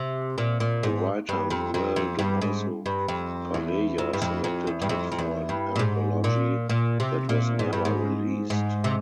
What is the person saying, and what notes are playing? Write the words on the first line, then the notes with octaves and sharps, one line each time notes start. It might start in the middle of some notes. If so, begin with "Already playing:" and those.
The writer Miguel Donoso Pareja selected it for an anthology that was never released.
Already playing: C3
A#2
A#2
G#2
G2
F2
F2
F2
G2
G#2
G2
F2
E2
F2
G2
F2
F2
E2
G2
F2
F2
E2
G2
A#2
G#2
A#2
A#2
C3
A#2
G#2
G2
G#2
G#2
C3